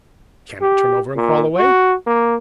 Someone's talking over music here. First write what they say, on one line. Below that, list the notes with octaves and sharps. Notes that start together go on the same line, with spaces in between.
Can it turn over and crawl away?
G4
A#2
F#4
A#3